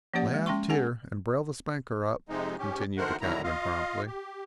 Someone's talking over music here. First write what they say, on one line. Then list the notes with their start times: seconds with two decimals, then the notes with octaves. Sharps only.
"Lay aft here, and brail the spanker up!" continued the captain, promptly.
0.14 F3 A#3 C#4 G4 D5 F#5
0.34 G#3
0.46 G#3 C#4 G5 C6 C#6
0.69 C#4 G#4 F#5 G#5
2.29 F2 C3 G#3 D#4
2.59 G#2 C#4 G4
2.97 D2 D#3 A3 A#4 C5 F#5
3.21 E2 D3 D#3 F#3 E4 A#5
3.44 F4 D#5 F5
4.06 G4